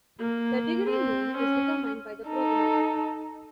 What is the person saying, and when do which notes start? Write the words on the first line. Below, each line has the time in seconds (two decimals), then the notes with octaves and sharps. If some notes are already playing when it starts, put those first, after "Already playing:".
The degree name is determined by the program.
0.20 A#3
0.90 C4
1.38 C#4
2.27 D#4 A4